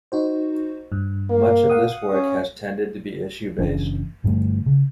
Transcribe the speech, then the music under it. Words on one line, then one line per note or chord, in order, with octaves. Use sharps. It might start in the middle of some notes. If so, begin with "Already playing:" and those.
Much of this work has tended to be issue-based.
D#4 F#4 C5
G2
A#3
F5 F#5 D#6
C#4
F#1 E3 C#4 D4
G2 D3 G3 A3
C#3